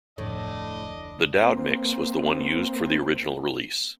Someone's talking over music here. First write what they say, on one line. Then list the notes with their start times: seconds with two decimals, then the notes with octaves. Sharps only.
The Dowd mix was the one used for the original release.
0.18 F1 D2 A2 F3 D4 D#5
1.42 A#3 C4